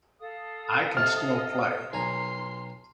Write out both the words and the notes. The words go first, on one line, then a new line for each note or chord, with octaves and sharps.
I can still play.
A4 F5 D#6
C3 D#5 A5 F6
B1 G#5 A#5 C6 C7